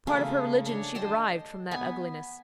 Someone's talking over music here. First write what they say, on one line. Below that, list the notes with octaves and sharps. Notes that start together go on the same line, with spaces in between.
A part of her religion she derived from that ugliness.
C#3 A3 A#3
D4 C#5
D#5 G5 A5 C6
B3 G#5